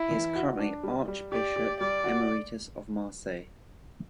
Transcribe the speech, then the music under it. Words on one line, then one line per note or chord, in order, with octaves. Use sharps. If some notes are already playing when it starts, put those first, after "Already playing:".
He is currently Archbishop Emeritus of Marseille.
Already playing: E4
E3
F#4
D4
G3
G3
G4 D5
G4
G3 D5
F#4